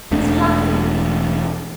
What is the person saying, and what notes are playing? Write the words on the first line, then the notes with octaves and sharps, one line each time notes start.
"He's laughing."
E1 E2 A3 D4